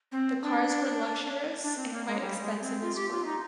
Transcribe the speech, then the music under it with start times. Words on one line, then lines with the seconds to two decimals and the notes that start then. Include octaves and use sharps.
The cars were luxurious, and quite expensive as well.
0.12 C4
0.42 D4
1.62 D4
1.76 C4
1.92 A#3
2.07 G#3
2.21 G3
2.41 G#3
2.61 C4
2.82 F4
2.96 G4
3.11 F4
3.26 D#4